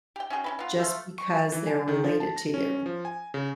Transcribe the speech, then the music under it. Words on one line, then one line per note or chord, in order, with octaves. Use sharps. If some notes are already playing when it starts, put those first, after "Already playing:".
just because they're related to you.
G4 G5
C#4 F#4 G#4 G5
C#4 E4 B4
B3 F4
A3 F4
C#6
E3
G#5
D#3
F3
A5
A#6
C#4
F3
G#5
C#3